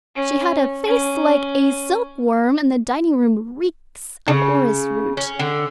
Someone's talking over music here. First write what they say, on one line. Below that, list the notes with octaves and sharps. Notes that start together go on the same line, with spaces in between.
She had a face like a silkworm, and the dining-room reeks of orris-root.
C#4
C#4
C#3
C#4
D3